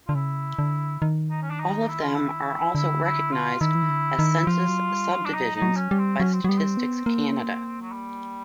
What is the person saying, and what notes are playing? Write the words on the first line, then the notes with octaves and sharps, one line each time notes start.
All of them are also recognized as census subdivisions by Statistics Canada.
D3 F4
C#3 E4
D3
D#3
D#4
C#4
D4
D#4
E4
F4
E4
D3 E4
E4
F4
D#3 E4
E3
D#3
D3
D#3
F3 F4
F#3
G3
F#3
G3 D4
F#3 D#4
D#4
F#3
C#4
G3
C4
F#3 C#4
C4
F#3 G3 B3
C4
B3
A#3
F#3
G3